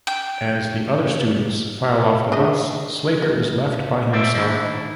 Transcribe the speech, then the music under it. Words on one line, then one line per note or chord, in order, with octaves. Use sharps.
As the other students file off the bus, Slater is left by himself.
G5
D4 D#4 G#4 D#5 E5
F#4
E4 C5 D5 E5
D#3 D4 E4